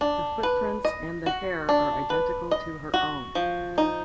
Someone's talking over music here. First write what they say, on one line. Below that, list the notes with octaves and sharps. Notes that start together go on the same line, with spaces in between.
The footprints and the hair are identical to her own.
D4
B4
D#5
F#4
D4
B4
D#5
F#4
F3
D#4